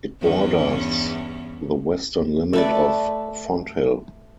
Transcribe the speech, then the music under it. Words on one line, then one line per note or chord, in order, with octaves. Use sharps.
It borders the western limit of Fonthill.
E2 G2 C#4
A3 B4 D5